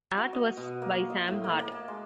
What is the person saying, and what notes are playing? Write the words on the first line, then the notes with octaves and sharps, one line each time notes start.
Art was by Sam Hart.
F#4
D#5
B2
A#3
D#5
A2
A#3
A#3
A5
G#3